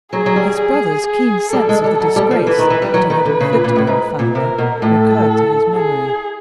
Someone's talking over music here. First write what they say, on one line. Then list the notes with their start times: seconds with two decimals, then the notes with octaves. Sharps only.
His brother's keen sense of the disgrace that he had inflicted on the family recurred to his memory.
0.13 F#3 G#4
0.26 F#3
0.36 G3
0.60 G#4
1.07 G#4
1.53 G3 A4
1.69 G#3
1.84 G3
2.00 F#3
2.16 G3
2.31 F3
2.47 E3 B4
2.58 D#3
2.70 E3
2.82 G3
2.94 F#3 B4
3.10 D#3
3.25 D3
3.40 C#3
3.53 A#2
3.64 A#2
3.76 A2
3.87 G#2
4.19 A#2
4.34 C3 A#4
4.58 B2
4.82 A2 A4
5.75 G#4